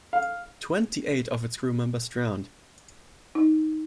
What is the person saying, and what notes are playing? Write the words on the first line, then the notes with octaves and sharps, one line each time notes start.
Twenty-eight of its crew members drowned.
F5
D#4